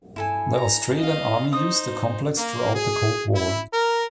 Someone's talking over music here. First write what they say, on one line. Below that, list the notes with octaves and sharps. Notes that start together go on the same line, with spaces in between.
The Australian Army used the complex throughout the Cold War.
E4 A4 G#5
A#5
D#5 F5
D#4 C5 D#6
A#3
G#4
E4
A#4